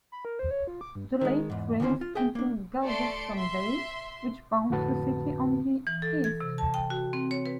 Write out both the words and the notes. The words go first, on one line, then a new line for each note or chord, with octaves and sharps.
The lake drains into Galveston Bay, which bounds the city on the east.
B5
A#4
C5
C#5
F4
D6
G2
D#3 G#3
E2 G#2
D2 D#3 E3 A3 C#4 C5
F4
G#4 E5 G5
A#3 D4
A3 D5 A5 C6 C#7 D7
E5 C6
F2 A2 D3 F#4 B4 A5
E3
A4
G#6
C3
A5
G5
F#4
C4
C#5
B4